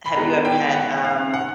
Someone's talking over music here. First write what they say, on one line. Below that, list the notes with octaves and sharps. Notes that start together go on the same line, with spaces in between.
Have you ever had, um,
B5
D#3 G#3 B3 A#5
G5
F#5
F5
F#5